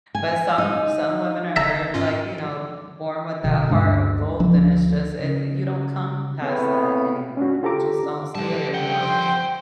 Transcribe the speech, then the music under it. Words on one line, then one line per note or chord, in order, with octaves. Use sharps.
but some some women are are, like, you know, born with that heart of gold and it's just it you don't come past that anymore, you just don't see it anymore.
G#5
D#4
D3 E5 A5 A#5
G#2 C#4 F4
F1 B2 D3
D2 G2 G#3 D4
D2 F3 D4
C#3
A2 C#3 B3 C4 C#5
C#4 D4 F#4
F4 G4 A4 C5 A#5 D6
D2 D3 F3 G3 A5
F2 F#5 G5
C5